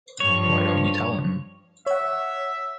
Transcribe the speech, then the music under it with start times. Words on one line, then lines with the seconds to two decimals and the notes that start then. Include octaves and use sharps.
Why don’t you tell him?
0.20 G2 F3 C#5
1.86 C#5 E5 F#5